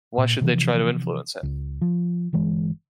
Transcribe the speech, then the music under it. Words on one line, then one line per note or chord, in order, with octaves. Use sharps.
Why should they try to influence him?
A#2
C3 E3 F3
C#2
F3
G1 E3 G#3